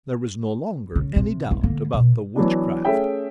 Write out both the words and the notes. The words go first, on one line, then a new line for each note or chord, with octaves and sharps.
There was no longer any doubt about the witchcraft.
C#3
C3
B3
D3 A#3
B2
E3 F#3 B3 D4
A3 C#4 G#4 E5 G5